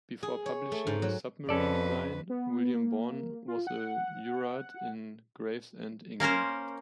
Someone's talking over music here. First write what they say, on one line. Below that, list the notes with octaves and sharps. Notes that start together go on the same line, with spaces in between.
Before publishing his submarine design, William Bourne was a jurat in Gravesend, England.
G#4
C#5
A3
G#2
F#3
F2 C#4 A4 B4 D5
B3
A#3
F4
F#5
A#3 C#4 A#4 C5